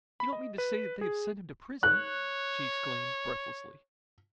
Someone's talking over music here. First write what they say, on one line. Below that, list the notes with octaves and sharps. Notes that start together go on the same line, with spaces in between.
"You don't mean to say that they have sent him to prison?" she exclaimed breathlessly.
B5
D#5
B4
G#4
C#5 F#6